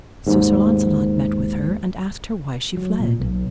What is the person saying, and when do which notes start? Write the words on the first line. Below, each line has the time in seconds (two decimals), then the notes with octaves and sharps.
So Sir Launcelot met with her and asked her why she fled.
0.27 D#2 G#2
2.77 F#3
3.00 A#2
3.20 B1